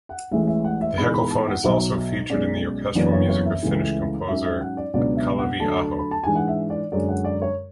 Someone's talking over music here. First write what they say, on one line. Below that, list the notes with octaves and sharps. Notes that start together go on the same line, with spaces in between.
The heckelphone is also featured in the orchestral music of Finnish composer Kalevi Aho.
F#5
A1 A2 E3 G#3 E5
E5
F#5
E5
G#2 E3 G#3 B3 B5
B5
A5
F#5
B1 B2 F#3 E5
B1 B2 G#3 C#4 D5
F#1 F#2 E3 B3 D4 D5
C#5
C#5
E5
C#2 C#3 E3 A3
G#2 F#3 C#4 E5
E5
F#5
D5
C#2 B2 F#3 B3 D4 D5
E5
F#5
D2 D3 F#3 A3 D4 A5
B5
A5
G#2 E3 G#3 D4 G#5
F#5
E5
D5
F#2 D3 G#3 D5
F#5
D5
C#5